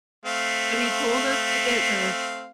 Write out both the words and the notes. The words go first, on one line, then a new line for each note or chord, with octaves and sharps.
but he told us to get the
A3 C4 F5